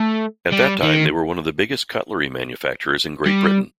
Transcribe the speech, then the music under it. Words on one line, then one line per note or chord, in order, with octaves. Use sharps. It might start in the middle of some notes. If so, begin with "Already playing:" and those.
At that time they were one of the biggest cutlery manufacturers in Great Britain.
Already playing: A3
G3
D#3
G3